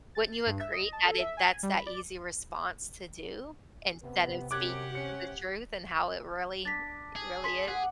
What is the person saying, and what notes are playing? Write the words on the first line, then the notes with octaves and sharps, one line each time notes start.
Wouldn't you agree that it that's that easy response to do? Instead of speaking the truth, and how it really really is.
A6
C7
G2
E5
D#5
A5
A4
E5
G#5
G3
B5
D5
C3 B3
F#2 G4 F#5 D6 F#6 G#6
C#4 C#7
D4 A6 B6
G#4
C6 B6
G#4 D5 F#5